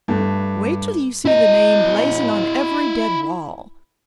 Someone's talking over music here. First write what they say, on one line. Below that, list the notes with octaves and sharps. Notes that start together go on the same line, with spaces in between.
Wait till you see the name blazoned on every dead wall.
G2 A3
E4 D#5